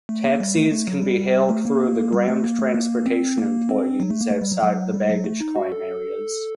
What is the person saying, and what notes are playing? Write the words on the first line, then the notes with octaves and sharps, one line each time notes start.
Taxis can be hailed through the Ground Transportation employees outside the baggage claim areas.
A3
A#3
G3
A3
A3
F#3
G3
A3
A#3
G3
A3
A#3
A3
A#3
C4
A#3
C4
F#3
A3
A#3
A3
G3
F#3
F#3
G3
F#3
A3
D#4
F#4
A4